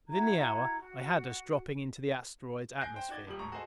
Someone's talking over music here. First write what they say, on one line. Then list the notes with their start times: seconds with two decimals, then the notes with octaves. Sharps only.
Within the hour I had us dropping into the asteroid's atmosphere.
0.08 E4 F#4 A#5 G#6
0.78 F#4
2.81 G#5 F#6 G6 A#6 C7 D7
2.96 C5 G5
3.09 D#4 F#4 D5 G#6 G7
3.27 D#1 G3 G4 F#7
3.39 D2 G#2 A5 A#5 C#6
3.52 F#4 G#4 A4 C5 D#5